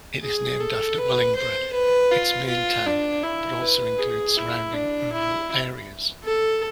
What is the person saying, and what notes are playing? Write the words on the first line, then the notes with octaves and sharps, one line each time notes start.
It is named after Wellingborough, its main town, but also includes surrounding rural areas.
G#4
A4
B4
C5
B4
F4
F4
D4
E4
B4
G#4
E4
D4
E4
A4